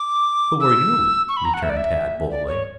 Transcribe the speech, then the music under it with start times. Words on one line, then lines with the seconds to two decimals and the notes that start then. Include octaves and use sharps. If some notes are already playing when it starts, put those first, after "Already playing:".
"Who are you?" returned Tad boldly.
Already playing: D6
0.60 E6
1.28 C#6
1.37 B5
1.45 A#5
1.54 F#5
1.62 E5
1.69 D5
1.76 E5
2.30 D5
2.47 C#5